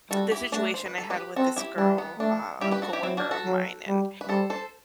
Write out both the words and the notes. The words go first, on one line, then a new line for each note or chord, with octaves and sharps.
the situation I had with this girl, uh, a coworker of mine, and,
G3 F#4 A4
E4 G4
A3 D4 F#4
C5
B4
A4
G4 B4
C4 F#4 A4
E4 G4
G3 D4
B3
A3 D4
G3 E4 G4
G4 B4
F#4 A4
E4 G4
F#3 C4 E4
D4 F#4
F#4 A4
F#3
G3
B4
G3 A4 C5
A4 C5